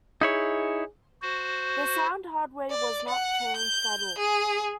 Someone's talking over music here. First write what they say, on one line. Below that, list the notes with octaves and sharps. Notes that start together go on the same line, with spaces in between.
The sound hardware was not changed at all.
D#4 E4 G#4 C#5
F#4 C5
D5
F#5
G6
G#4